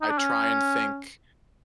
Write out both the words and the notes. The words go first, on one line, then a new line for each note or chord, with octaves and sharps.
I try and think,
D#4
D4
C#4